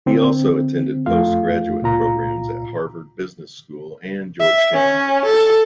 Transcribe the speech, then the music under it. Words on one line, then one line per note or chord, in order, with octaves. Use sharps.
He also attended post-graduate programs at Harvard Business School and Georgetown University.
D3 C4
F2 A3 F4 F5
C#2 A#2 F4 A#5
E5
C#4
A4